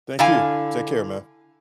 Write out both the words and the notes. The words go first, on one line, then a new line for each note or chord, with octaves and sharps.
Thank you, take care, man
D3 E4 F5 G#5